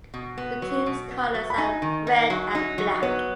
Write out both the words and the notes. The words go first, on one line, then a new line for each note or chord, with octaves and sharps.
The team's colours are red and black.
B2
B3
F#3
B2
B3
F#3
B5
D#4 G#5
D#3
D#4
F#3
D#4
F#3
B3 C#5